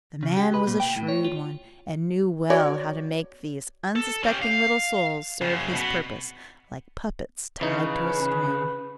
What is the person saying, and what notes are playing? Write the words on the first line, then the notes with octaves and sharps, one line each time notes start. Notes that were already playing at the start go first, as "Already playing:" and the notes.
The man was a shrewd one, and knew well how to make these unsuspecting little souls serve his purpose, like puppets tied to a string.
C#3
G4
B4
A#2
G5
A2
C#5
F4
F#4 C#5 D5
A4
C#4 G4
F5
F#2 C#3
B2 B3
C#3 E3 D#4 B4